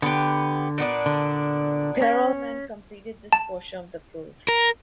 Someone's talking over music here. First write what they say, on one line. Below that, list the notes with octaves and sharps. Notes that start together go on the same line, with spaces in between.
Perelman completed this portion of the proof.
D3 B3 G4
A#2 B3 D4
D3
C#4
A5
A#4